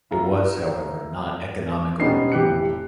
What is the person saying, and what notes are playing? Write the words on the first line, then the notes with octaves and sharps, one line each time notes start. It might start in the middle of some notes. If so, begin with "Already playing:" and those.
It was, however, not economical.
E4 F5 A#5
E1 G3 B3 C#4 D#4 C7
F1 E3 G4 F#6 C#7